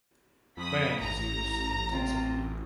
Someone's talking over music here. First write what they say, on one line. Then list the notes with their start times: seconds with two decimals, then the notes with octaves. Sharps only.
Land is used intensively.
0.57 F2 B5 D#6
1.01 A1 A#5
1.92 C4 F4